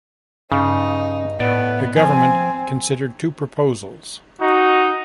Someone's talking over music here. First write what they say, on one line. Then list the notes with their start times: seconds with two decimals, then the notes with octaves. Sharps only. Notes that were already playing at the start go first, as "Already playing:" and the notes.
The government considered two proposals.
0.52 G2 C#3 D#4
1.40 A2 B3 D5
1.96 F3 C4 G#5
4.41 D#4 F#4